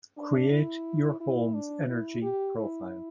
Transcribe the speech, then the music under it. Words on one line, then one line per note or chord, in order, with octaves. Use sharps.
Create your home's energy profile.
D4
E4
E4
D4
E4
G4
E4